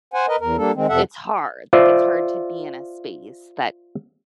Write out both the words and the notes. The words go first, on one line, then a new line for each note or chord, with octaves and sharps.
It's hard, like, it's hard to be in a space that
C5 F#5 G#5
A#4 B4 D#5
E2 A#4
G3 A#3 D4 A4
D#3 G#3 C4
F2 C3 A4 E5 F#5
F4 C5 D5 E5